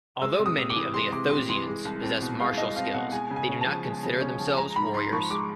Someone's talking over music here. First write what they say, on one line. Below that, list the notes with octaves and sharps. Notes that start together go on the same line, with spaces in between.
Although many of the Athosians possess martial skills, they do not consider themselves warriors.
G#3 E6
C3
D#6
C3
D6
E3
G#3 C6
C3 D6
C3 C6
E3 C6
G#3
C2
C4
B2
G#3 F5
C2 D#5
C4 F5
B2 F#5
G#3 G#5
C#3
G#5
C#4
A5
F3
G#3
C#3
C#4
F3
G#3 A#5
G#2 B5
G#2 C6
F3 C#6
G#3 D6